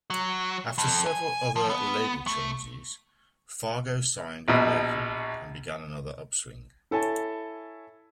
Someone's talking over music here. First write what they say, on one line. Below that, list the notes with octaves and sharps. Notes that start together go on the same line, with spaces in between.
After several other label changes, Fargo signed with Mercury, and began another upswing.
F#3
F2
G#5
F3
B3
A3
A#1 B2
E4 A4 C#5 G#5 A5